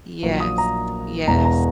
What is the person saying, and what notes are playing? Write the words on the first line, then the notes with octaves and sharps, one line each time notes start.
Yes, yes.
A#1 A#2 F#3 A#3
D#6
A#5
E1 E2 B2 A#5
A#5